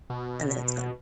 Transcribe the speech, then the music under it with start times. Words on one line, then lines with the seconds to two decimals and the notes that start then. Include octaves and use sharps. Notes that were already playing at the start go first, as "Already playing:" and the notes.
And then it's gone.
0.10 B2